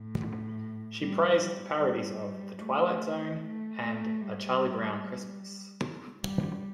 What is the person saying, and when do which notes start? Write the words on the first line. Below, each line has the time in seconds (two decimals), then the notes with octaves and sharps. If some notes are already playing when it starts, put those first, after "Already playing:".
She praised the parodies of "The Twilight Zone" and "A Charlie Brown Christmas".
Already playing: A2
1.00 G3
1.39 G3
1.80 G3
2.60 A3
3.41 A3
3.80 A3
4.21 G3
6.21 G3